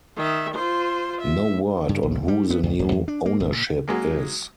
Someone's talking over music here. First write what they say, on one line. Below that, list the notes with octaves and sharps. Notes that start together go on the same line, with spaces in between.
No word on who the new ownership is.
D#3 E5
F4 C5
E5
G2
A#1
G3
B3
C#2
D1
E2
D4
A#3
G#1
A#2
F#3 G#3 A#3